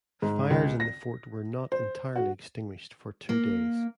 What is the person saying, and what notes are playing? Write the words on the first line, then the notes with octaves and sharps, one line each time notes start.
Fires in the fort were not entirely extinguished for two days.
G#2
C#2
A#6
C5
F#4
A#3